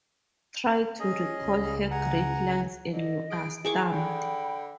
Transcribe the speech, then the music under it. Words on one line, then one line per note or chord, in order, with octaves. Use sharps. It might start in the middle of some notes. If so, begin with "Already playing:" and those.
Try to recall her great lines and you are stumped.
C#4 G#4 D#5
C#2 C#3
F#5 G#5 A#5
D3 D#5
G#4 D7
D#3 E4 G#4 C#6 D6
D3 G5 B5